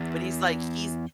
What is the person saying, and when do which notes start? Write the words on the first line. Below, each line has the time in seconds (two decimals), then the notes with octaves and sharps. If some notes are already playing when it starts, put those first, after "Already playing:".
But he's like, he's
Already playing: E2